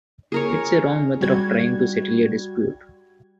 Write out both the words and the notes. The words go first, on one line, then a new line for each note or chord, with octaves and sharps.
It's a wrong method of trying to settle a dispute.
G#4 A#4 C#5
G3 F#4 G#6